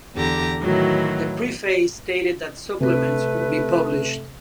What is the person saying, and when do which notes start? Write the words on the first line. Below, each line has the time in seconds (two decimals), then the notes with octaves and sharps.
The preface stated that supplements would be published.
0.15 E2 D3 G4 A#5
0.60 A2 D#3 E3 F#3 F#4
2.80 C3 A3 B4